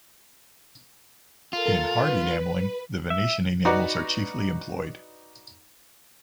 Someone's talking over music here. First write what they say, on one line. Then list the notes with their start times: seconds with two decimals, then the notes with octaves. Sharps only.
In hard enameling, the Venetian enamels are chiefly employed.
1.53 F4 A4 A#4 A6
1.92 B4
3.10 E5
3.65 D#4 F#4 B4 D5 F#5 A#5